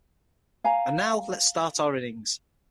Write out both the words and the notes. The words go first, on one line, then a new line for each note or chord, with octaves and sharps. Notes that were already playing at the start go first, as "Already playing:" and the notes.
And now let's start our innings.
F5 G#5 A#5